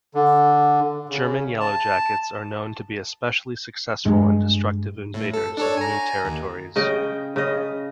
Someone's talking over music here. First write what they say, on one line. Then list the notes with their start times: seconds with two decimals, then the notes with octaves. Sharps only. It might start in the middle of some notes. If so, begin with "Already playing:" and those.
German yellowjackets are known to be especially successful and destructive invaders of new territories.
0.14 D3
1.09 C#3
1.60 A5
4.05 G2 G#3
5.14 A2
5.33 A4
5.57 D4 A4 C#5
5.77 G#5 A#5
6.25 D#2
6.76 C#3 D#5 G5
7.36 C#3 D#5